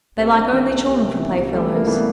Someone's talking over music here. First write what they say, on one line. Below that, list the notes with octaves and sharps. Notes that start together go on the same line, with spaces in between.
They like only children for playfellows.
C2 A#3 C4
C3 C4 D4
E3 B3 C#4
C2 A#3 C4
C2
C3
E3
C2
C2 G3 A3
C3
A#3
E3 A3 B3